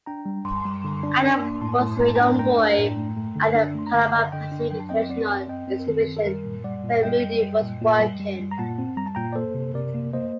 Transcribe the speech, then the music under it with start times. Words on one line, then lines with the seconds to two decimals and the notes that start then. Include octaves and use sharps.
Adams was a young boy at the Panama-Pacific International Exhibition, where Mooney was working.
0.06 D4 G5 A#5
0.26 G3
0.45 G3
0.66 G3
0.84 D3
1.03 D4
1.23 D4
1.42 A#3
1.61 A2 A5 C6
1.80 A2
2.00 A2 A#5
2.08 A5
2.16 D4 G5 A#5
2.39 A3 G5 A#5
2.58 D4
2.78 A2
2.97 A3
3.17 A3
3.36 D3
3.55 D4
3.75 A3 C6
3.87 A#5
3.94 D3 F#5 A5
4.14 D3 D#5
4.23 F#5
4.32 D3 D#5 G5
4.52 D4
4.71 F#3 G5
4.80 A5
4.89 C4 D#5 G5
5.10 C4 D5 F#5
5.29 C4
5.48 C4 D#5 G5
5.68 C4
5.79 A#4
5.88 D#3 A4
6.07 D#3
6.17 A4
6.26 G3 A#4
6.45 A#2
6.64 G3 D5 F#5
6.84 A#2
6.93 F#5
7.03 G3 D#5 G5
7.24 G3
7.42 G3
7.62 A#2
7.81 A#2
8.00 G3
8.20 G3
8.39 G3
8.51 A#5
8.58 A#2 F#5 A5
8.78 C4
8.97 G3 A#5
9.06 A5
9.15 A#2 G5 A#5
9.33 D5
9.35 A#3 A4 C5
9.55 C3
9.74 C3 A#4 D5
9.94 A#3
10.13 A#3 C5 D#5